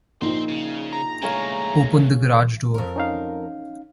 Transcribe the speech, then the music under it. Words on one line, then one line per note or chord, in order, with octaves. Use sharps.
Open the garage door!
A#1 A#2 C4 D#4 C5
C#3
A#5
C#2 A2 G#4 C#5 F5
F2 A#4
C#4 D#4 F5